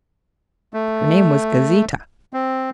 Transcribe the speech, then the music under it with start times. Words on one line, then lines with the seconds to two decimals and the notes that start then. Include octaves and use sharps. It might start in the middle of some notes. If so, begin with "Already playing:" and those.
Her name was Gauzita.
0.74 A3
2.33 C4